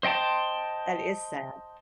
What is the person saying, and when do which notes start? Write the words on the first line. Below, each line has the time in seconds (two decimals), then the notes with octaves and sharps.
That is sad.
0.03 C5 D#5 G5 A5 C6